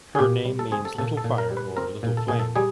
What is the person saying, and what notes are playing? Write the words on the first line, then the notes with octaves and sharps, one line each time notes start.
Her name means "little fire" or "little flame".
G#4
A#2 G4
G3
A4
C4 G#4
A4
A#2 A4
A4
A#2
A#4
G3
B4
C4 A#4
A#2
A4
A#2 G#4
A4
G3 G#4